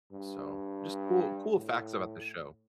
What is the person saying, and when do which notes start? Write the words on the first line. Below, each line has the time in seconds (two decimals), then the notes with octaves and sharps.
So, just cool cool facts about the show.
0.12 G2
1.55 A2